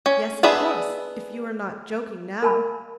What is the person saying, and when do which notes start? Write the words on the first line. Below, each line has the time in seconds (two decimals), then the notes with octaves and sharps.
"Yes, of course, if you are not joking now."
0.06 C#4
0.43 B3 D4 G#4 E5 B5
2.42 A#4 F5 G#5 A5 B5